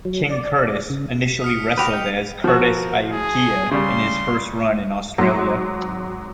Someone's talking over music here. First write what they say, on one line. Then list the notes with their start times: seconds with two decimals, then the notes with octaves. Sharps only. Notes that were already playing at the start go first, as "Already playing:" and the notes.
King Curtis initially wrestled as Curtis Iaukea in his first run in Australia.
0.05 F#3
0.30 D5
0.90 C#3
1.27 B6
1.42 D#6 F6 C#7
1.78 F#4 G4 B4 G6 F7
1.90 D#5 G5
2.44 F3 F#4 A#4
3.12 G#4
3.71 C#3 G3 C6
5.18 G#1 F#3 C6